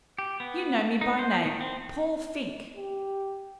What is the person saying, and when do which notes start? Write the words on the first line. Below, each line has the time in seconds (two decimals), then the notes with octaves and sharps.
You know me by name--Paul Fink.
0.19 G4
0.40 B3
1.01 D#4
1.19 C5
1.46 D#3
1.61 C4
2.77 G4